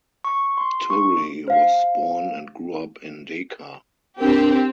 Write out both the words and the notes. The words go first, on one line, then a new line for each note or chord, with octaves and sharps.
Toure was born and grew up in Dakar.
C#6
C6
C#6
C5 F5
C4 D4 G4 A#4